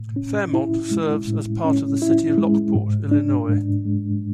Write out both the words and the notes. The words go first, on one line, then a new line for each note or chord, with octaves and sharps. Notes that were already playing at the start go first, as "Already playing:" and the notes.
Fairmont serves as part of the City of Lockport, Illinois.
Already playing: A2
C#4
E4
G#3
A2
C#4
E4
G#3
G#2
D4
G#2
G#3